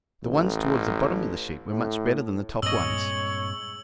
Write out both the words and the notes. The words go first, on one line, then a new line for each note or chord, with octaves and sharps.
The ones toward the bottom of the sheet were much better than the top ones.
A1
A2
G2 A#2 G#3 C4 C#5 D#5 E6 F#7